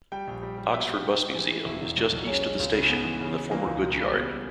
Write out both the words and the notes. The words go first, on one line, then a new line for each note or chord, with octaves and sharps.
Oxford Bus Museum is just east of the station, in the former goods yard.
G3 G5
A#1
G3
G3
B2 E5
G3 G4
G#2 G4
G#2
E3
G#3
E1 E4
E1
B1
B1
G#3 C#4
G#3
C#2
C#3
G#2 B3
E3
C#3
G#3
E3 A#3
C#2
B1
G3
C#3 B3
G3